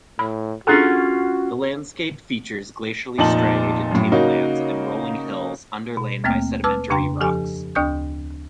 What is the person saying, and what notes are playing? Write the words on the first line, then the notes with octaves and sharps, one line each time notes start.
The landscape features glacially striated tablelands and rolling hills underlain by sedimentary rocks.
A2 B5
C#4 D4 F4 F#4 G#4 A4 F#5
F1 A#2 D#4 A5 F#7
F#2 A2
C#3 A#3 C#4 D#4 F#4
B2
D#2 A3 A#3 C4 G5 F6
B4 A5 D6 E6 F6
F2 C#3 D4 G5 A#5 C6
F3 G4 A4 G#5
D2 D4 G5 C#6 D#6 G6